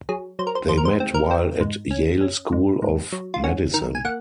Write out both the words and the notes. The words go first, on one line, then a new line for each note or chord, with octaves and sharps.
They met while at Yale School of Medicine.
F#3 G#4
F#3 C5
A#4
C5
F2 C5
A#4
C5
C4
A#4
C4
G#2
C#4
C#4
G#2
G#2
F#3
F4
C#4 F#4
D#3 A#4
G#5
A#3 F#5